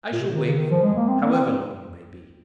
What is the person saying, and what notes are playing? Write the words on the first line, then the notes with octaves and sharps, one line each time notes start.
I shall wait for you, however long you may be.
A#2
C3
D#3
C#3
D#3
F3
G#3
A#3
C4
A#3
C4